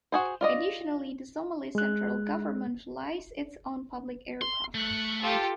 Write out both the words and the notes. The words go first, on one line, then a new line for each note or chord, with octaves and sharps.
Additionally, the Somali central government flies its own public aircraft.
F#4 G#4 C5
F4 D5 D#5
G#3 F#6
C6
A3 F#6 C#7
F4 G4 A4